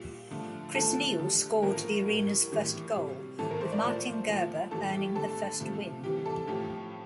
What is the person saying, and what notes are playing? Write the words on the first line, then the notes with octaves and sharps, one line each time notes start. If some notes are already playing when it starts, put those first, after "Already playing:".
Chris Neil scored the arena's first goal, with Martin Gerber earning the first win.
Already playing: A#2 G3
D3 F3 A3
D3 F3 A3 A4
D3 G3
A2 F3 A3 A#4
A2 G3
A2 E3 G3
C3 G3
A2 E3 A3 A4
A#4
C5
D5
A#2 F3 A3 C5
A#2 F3 A3
A2 E3 G3 A4
G4
D3 A3 A4
C3 F3 A3
C3 E3 G3 G4
A4
A2 F3 A3 G4